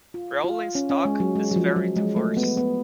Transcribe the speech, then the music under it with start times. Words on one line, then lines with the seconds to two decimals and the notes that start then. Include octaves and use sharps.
Rolling stock is very diverse.
0.14 F4
0.44 F4
0.75 C#4
0.90 C#4
1.05 G#3
1.20 F#3
1.35 G#3
1.51 F#3
1.56 F3
1.76 F#3
1.96 G#3
2.16 A3
2.37 B3
2.57 B3